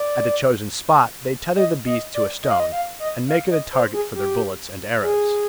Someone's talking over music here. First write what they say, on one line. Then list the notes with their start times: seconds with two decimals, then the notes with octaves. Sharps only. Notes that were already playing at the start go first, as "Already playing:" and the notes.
At the chosen spot they tether the beast to a stone, and make it a target for their bullets and arrows.
Already playing: D5
1.56 D#5
1.86 D#5
2.14 D5
2.43 D#5
2.51 F5
2.60 D#5
2.72 F5
3.00 D#5
3.28 F5
3.50 D#5
3.73 C5
3.94 G#4
4.15 G4
5.02 G#4